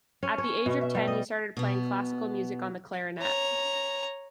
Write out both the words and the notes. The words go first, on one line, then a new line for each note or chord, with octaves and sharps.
At the age of ten he started playing classical music on the clarinet.
C#4
C#5
B2
E5
G3
D#5
B2 B3
C#5 A#5